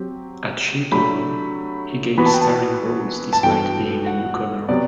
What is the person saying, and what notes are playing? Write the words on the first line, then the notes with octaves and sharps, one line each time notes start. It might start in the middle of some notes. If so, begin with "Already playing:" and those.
At Shintoho he gained starring roles despite being a newcomer.
Already playing: F#3 C4 G4
F#3 A3 D4 G4 B5
E3 B3 F#4 B4 B5
A5
G5
A5
A5
G2 E3 B3 F#4 A4 G5
F#5
C3 F#3 B3 D5